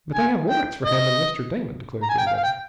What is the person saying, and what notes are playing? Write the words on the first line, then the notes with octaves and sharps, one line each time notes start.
"But they have warrants for him and Mr. Damon," declared the inventor.
G#5
G5
D#5
A#5
G#5
G5
F5
F5
G5